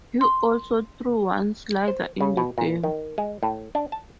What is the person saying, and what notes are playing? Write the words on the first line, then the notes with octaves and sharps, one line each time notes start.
He also threw one slider in the game.
C6
C5
C#3
B2
A#2
D#3
G#3
A2
D4
A5